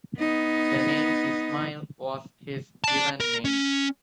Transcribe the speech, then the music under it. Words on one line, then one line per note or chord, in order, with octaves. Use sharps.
The name Ismail was his given name.
B3 D#4
D5 A5
A#4
C#4